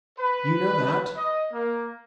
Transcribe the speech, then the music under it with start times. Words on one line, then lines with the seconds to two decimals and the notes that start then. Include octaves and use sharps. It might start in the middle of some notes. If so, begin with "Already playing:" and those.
"You know that?"
0.18 B4
1.16 D#5
1.52 A#3